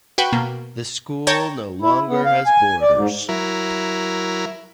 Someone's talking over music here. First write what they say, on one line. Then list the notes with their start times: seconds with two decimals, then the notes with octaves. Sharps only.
The school no longer has boarders.
0.18 F#4 B4 G5
0.33 B2 A#3
1.27 C#5 G5 A5 A#5
1.82 E4
2.08 B3
2.25 F5
2.47 G#5
2.82 D5
2.95 G#2
3.29 F#3 E4 A#4